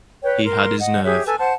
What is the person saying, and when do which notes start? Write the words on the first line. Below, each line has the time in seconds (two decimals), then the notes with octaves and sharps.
He had his nerve.
0.23 B4 C#5 G5
0.44 A#4 C6
0.79 D#5 F#5
1.04 G4 G#4 C#5 E5
1.26 A4 B4 G#5
1.39 C5 F#5 A5